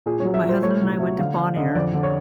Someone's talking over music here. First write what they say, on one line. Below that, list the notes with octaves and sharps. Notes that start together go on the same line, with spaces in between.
my husband and I went to Bonaire,
A#2 G#4
F#3 C#5
E5
A#2
C5
A3 C#5
C2
F#3 E5
D3 F5
D3 F5
D3 D#5
F2 D5
D3
C#5